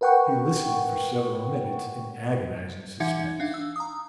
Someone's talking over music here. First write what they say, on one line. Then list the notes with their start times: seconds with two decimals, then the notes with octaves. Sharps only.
He listened for several minutes in agonizing suspense.
0.01 A#4 B4 F#5 G5 C#6
3.00 E3 D#4 E5 F#5 G#6 C#7
3.40 D4 F5
3.54 E6
3.76 A#5 D#6